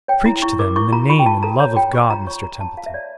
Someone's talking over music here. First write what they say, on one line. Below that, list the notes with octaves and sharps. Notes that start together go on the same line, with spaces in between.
Preach to them in the name and love of God, Mr Templeton.
C#5 G5
E4 A#5
E4 C#6
A#4 D6
E4 C#6
F4 A#5
F4 C#6
G5
F4 A5
A4 A#5
C#5 A#5
F4 G5
F4 C#6
F4 A#5
C#5 C#6
F4 A#5
F4 A5
F4 F5
E5
C#5 D5